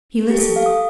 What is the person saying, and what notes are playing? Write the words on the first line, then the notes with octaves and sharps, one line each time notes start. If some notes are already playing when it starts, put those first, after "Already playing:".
He listened.
G4
A4
F5
D#6